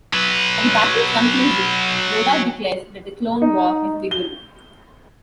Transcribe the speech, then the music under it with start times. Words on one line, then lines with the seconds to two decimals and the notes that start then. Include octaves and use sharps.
At the battle's conclusion, Yoda declares that the Clone War has begun.
0.13 F#3 B4
3.42 D#4
4.11 G7